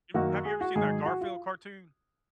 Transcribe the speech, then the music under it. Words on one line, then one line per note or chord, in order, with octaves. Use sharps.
You have ever seen that Garfield cartoon?
F#2 D#3 A#3 F#4
G#4
F#4
G#2 D#3 F#3 G#4
F#4
F4